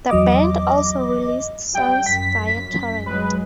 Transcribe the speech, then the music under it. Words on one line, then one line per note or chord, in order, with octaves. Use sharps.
The band also released songs via torrent.
E2 F#3 D#5 D6
G3 G5
F#2 B6
F#3 G#3 B4